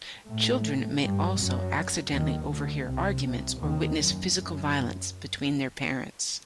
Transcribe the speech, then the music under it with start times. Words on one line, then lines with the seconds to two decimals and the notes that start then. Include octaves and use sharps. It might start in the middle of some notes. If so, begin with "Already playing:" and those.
Children may also accidentally overhear arguments or witness physical violence between their parents.
0.26 A2 A3
1.01 G2 G3
1.37 F#2 F#3
2.12 D#2 D#3
2.49 D2 D3
2.86 C2 C3
3.24 C2 C3
3.61 D#2 D#3
3.99 F#2
4.36 F#2